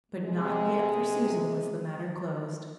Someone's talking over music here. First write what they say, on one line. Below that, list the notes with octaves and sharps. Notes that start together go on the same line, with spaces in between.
But not yet for Susan was the matter closed.
C3 G#3